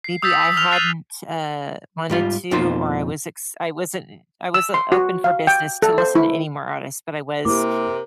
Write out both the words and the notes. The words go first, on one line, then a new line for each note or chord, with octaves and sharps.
maybe I hadn't, uh, wanted to, or I was ex I wasn't I wasn't open for business to listen to any more artists, but I was
C7
D#6 E6 G6 A6 B6
B6
F6 F7
F#6 A6 C7 D#7 F#7
G#2 G3 F4
F2 B2 A#3 D#4 F4 C5
E6
C6
F#4
F5
G5
A4
C5
E4
C3 A#3 E4 G4 A#4 D6